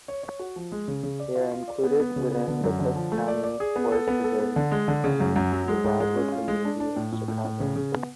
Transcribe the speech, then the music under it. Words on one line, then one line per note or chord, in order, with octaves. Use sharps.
They are included within the Cook County Forest Preserve and Wildwood community of Chicago.
C#5
C#5
F#4
F3
G#3
C#3
C#3
D5
F4
F4
D5
B3
B3
C#3
B3
D3
F#2
D3
F3
A3
D5
D5
G#4
B3
A4
B3
A4
B3
D3
G#3
D3
C#3
F#2
F#2
F#3
G#3
G#2
G#3
C#4
F4
G#3
D4
D4
A2
A2
A2
A2
C#3
C#3
B3